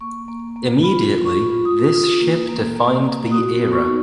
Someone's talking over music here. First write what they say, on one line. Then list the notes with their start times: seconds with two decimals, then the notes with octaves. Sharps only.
Immediately this ship defined the era.
0.01 A#3 C#6
0.28 A#3
0.56 A#3
0.83 F4 B5
1.10 F4
1.25 C#6
1.39 F4
1.65 F4 D#6
1.94 F4
2.20 A#3
2.49 A#3
2.76 A#3
3.04 A#3
3.31 F#4 D#6
3.59 B3
3.72 C#6
3.86 D#4